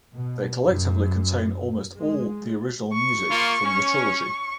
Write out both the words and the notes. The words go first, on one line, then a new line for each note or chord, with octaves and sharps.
They collectively contain almost all of the original music from the trilogy.
B2
F#2
G#3
C#6
A#3 F4
C#4